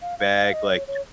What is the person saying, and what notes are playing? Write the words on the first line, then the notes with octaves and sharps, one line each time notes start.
vague, like
F5
F5
F5
D#5
C#5
C#5